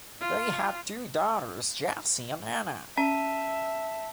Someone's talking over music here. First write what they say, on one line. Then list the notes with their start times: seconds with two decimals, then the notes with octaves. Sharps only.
They had two daughters, Jessie and Anna.
0.20 F4
2.98 C#4 E5 A5